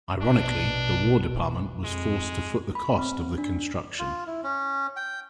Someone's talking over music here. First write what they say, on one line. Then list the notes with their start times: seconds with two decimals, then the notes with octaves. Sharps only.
Ironically, the War Department was forced to foot the cost of the construction.
0.22 A#1 B2 D4
1.84 F2 G#3
2.75 B5
2.99 C4
3.38 D4
3.99 F4
4.27 E4
4.43 C#4
4.96 G5